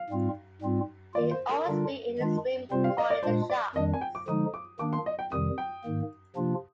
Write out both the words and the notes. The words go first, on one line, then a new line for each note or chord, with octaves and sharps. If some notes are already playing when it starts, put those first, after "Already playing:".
He'd always be in his room calling the shots.
Already playing: F5
G#2 G3 C4 F4
G#2 G3 C4 F4
D#3 A#3 F4 D5
C5
A#4
D3 G3 D4 F4
D#3 G#3 D4 F4
C3 G3 C4 F4 C5
F5
D#5
D5
A#2 G#3 D4 F4 C5
D5
F2 D#3 G3 D4 D#5
G#5
G5
D6
D3 F3 G#3 D#4 D#6
D6
D#3 A#3 D4 D6
C6
D#5
G5
F2 C3 D#3 G3 D#6
G5
G#2 D#3 A#3
C3 F3 A#3 D4 F4